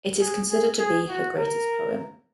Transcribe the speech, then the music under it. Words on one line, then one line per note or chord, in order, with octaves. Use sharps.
It is considered to be her greatest poem.
G#4
G#4
G#4
F#4
A#4